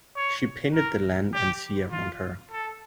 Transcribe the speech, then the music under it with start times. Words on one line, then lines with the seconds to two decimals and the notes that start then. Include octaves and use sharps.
She painted the land and sea around her.
0.16 C#5
0.74 A#4
1.34 G4
1.92 F4
2.51 A4